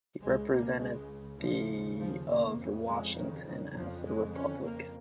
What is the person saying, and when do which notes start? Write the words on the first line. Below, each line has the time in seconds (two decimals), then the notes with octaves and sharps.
He represented the of Washington as a Republican.
0.21 C#2 C#3 G#3
0.51 A#3
0.80 G#3
1.39 D#2 C#3 F3
1.98 F3
2.27 A#3
2.57 F2 C#3
2.86 G#3
3.16 D#3
3.45 D#3
3.74 F2 C#3 F3
4.04 G#3
4.34 C#4
4.63 A#3